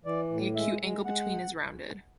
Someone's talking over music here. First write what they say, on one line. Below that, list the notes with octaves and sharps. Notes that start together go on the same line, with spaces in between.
The acute angle between is rounded.
E3 D5
A2
G#3 E5
G#3
G#3 F#5